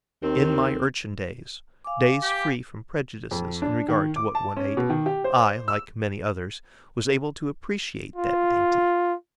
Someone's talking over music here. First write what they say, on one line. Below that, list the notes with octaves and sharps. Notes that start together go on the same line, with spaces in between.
In my urchin-days, days free from prejudices in regard to what one ate, I, like many others, was able to appreciate that dainty.
D#2 C4
F5 G#5 D6
G4
F2
D4
D#3
D6
A5
C#4
B2
D#3
G4
C5
E6
F4